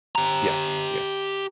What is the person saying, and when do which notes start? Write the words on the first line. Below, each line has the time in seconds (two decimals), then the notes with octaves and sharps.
Yes, yes.
0.15 G4 A#5